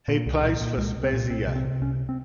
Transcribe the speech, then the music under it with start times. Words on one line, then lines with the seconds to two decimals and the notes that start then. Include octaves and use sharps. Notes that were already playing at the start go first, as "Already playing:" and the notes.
He plays for Spezia.
0.08 A#2
0.26 C2
0.43 A#2
0.60 A#2
0.77 C2 G#3
0.96 C2
1.04 C4
1.13 A#2
1.30 C2 C4
1.47 C3
1.55 C4
1.65 C3
1.81 C2 C#4
2.09 C4